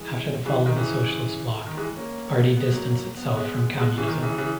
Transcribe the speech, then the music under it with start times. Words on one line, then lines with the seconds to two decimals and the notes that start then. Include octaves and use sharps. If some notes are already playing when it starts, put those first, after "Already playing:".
After the fall of the Socialist Bloc, the party distanced itself from communism.
Already playing: E3 G#3
0.46 C#3 E3
0.66 D#3
0.76 C#3 E3
1.67 D#3
1.77 E3 G#3
1.96 A#3 C#4
2.57 G#3 B3
2.71 F#3 A#3
3.17 B3
3.27 C#4
3.37 G#3 B3
3.77 G#3 B3
3.98 C#3 E3
4.08 D#3
4.23 C#3 E3
4.38 C#3 E3